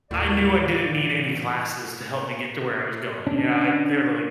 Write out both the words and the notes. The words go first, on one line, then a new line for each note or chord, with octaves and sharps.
I knew I didn't need any classes to help me get to where I was going, you know, I they're, like
D#2 A2 A#3 F#4 D5
E3
D3 C#4 D4